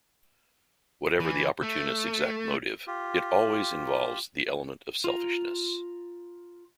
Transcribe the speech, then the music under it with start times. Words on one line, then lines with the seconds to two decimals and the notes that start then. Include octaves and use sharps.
Whatever the opportunist's exact motive, it always involves the element of selfishness.
1.20 E3
1.63 A3
2.87 F4 G4
5.04 F4 A#5